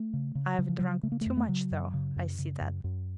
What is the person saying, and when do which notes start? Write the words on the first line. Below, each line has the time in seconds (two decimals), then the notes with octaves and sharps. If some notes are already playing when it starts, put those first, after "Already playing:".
I've drunk too much though, I see that.
Already playing: A3
0.13 C#3
0.35 C#3
0.59 C#3 F#3
0.69 F3
0.79 C#3 F#3
1.03 C#3 A3
1.12 A#3
1.21 F2 A3
1.37 A3
1.49 C#3 F#3
1.71 F#2
1.94 C#3
2.16 F#2
2.39 C#3
2.61 F#2
2.84 F#2